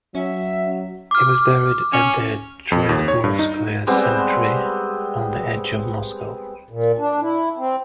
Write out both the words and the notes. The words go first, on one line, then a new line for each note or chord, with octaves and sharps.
He was buried at the Troyekurovskoye Cemetery on the edge of Moscow.
F#3 C#4 E5
D6 F6
C#4
F2
D#2
C#5
G2
D#4
G3 G#3 B3 C4
A#2
D4
E4
C4